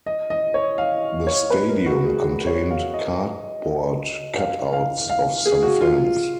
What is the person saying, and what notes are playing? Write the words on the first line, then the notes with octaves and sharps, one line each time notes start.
The stadium contained cardboard cut outs of some fans.
D#5
D#5
C#5
F5
C#5
B4
A#4
F#4
G#4
C#5
F5
D#5
F5
F5
F5
G#4
F#4
F4